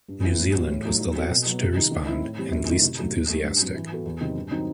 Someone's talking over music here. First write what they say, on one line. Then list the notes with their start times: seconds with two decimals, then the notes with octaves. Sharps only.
New Zealand was the last to respond and least enthusiastic.
0.08 G2
0.23 E3 B3 E4
0.39 A2
0.54 E3 G3 B3 F#4
0.69 A2
0.85 F#3 A3 D#4 A4
1.00 F#3
1.16 C4 F#4 A4
1.30 B2
1.46 F#3 B3
1.61 C3
1.76 D#3 G3 D#4
1.91 D#3
2.07 A3 C4 E4
2.22 A2
2.37 E3 G3 C4
2.53 F#2
2.68 D#3 A3 E4
2.83 C3
2.99 D#3 F#3 A3
3.14 F#3
3.28 A3 D#4 G4
3.44 G2
3.59 F#3 C4
3.75 E3
3.90 B3 F#4 A4
4.06 E2
4.21 C3 D#3 F#3 C4
4.36 G2
4.51 D#3 F#3 C4 D#4